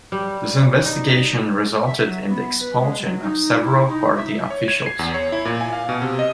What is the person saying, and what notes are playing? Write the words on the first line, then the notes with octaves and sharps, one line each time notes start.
This investigation resulted in the expulsion of several party officials.
G3
D#4
E5
F#3
B3
B4
G#3
F#3
D#4
E4
D#4
E5
C#5
G#6
C7
E2
C#5
E4
A#2
G#5
F5
B2
C3
D#5